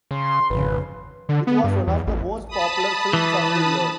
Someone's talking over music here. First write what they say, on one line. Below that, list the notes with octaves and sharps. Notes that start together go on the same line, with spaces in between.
It was one of the most popular films of the year.
C#3 C6
G#1 F2 C#3 B4
D3
B3
G2
E2
A1
A5 B5 D#6
E3